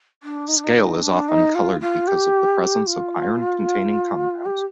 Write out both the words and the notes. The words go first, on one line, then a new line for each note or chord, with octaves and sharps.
Scale is often coloured because of the presence of iron-containing compounds.
D4
D#4
D4
D#4
D#4
D4
D#4
F4
F4
G4
F4
G4